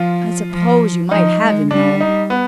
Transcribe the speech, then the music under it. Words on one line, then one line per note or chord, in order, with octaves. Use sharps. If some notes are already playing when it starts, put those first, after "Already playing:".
I suppose you might have him, though.
Already playing: F3 F4
F3
F3 D#4
G#3
G3 D4
D#4
B3